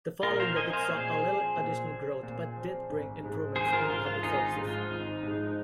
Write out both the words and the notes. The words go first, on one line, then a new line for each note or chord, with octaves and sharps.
The following decades saw little additional growth but did bring improvements in public services.
A#2 F4 A#4
C5 F5
F3 C4 D#5 G#5
C5 F5
A#2 G#4 C5
F3 C4
A#2
F3 C4
A#2
F3 C4
G#1
G#2 F3 G#3
G#1 G#4 C5
C5
F4 A#4
G#2 F3 G#3 F4
F4
G#1 D#4 G#4
F4
G#2 F3 G#3
F4
G#1 D#4
G#2 F3 G#3